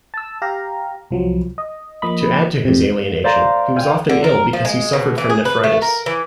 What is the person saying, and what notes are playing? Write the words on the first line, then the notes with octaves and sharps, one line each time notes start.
To add to his alienation, he was often ill because he suffered from nephritis.
A5 E6
G4 F5 A#5
C2 F3 F#3
D#5
F3 A#3 D#5 B5
E2 C3
C5 D5 F5 A#5 A6 A#6
F5 G5 G#5 F6 D#7
D3
A#4
F3
G#3
B2
E3
G#4
B4
A3
A#4
E3